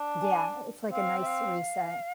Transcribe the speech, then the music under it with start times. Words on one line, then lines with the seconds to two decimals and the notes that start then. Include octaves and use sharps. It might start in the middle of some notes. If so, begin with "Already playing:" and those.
Yeah, it's, like, a nice reset
Already playing: D4
0.21 G#5
0.92 C4 F5
1.22 E5
1.26 F5